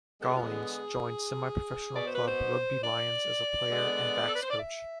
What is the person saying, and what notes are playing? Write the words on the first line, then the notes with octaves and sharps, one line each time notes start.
Gollings joined semi-professional club Rugby Lions as a player and backs coach.
D3 G#3 B3 A4
G#4
F4
G#4
B2 B3 D5
C5
B4
C5
D5
D3 G#3 B3
A4
B4
C5
D5
E5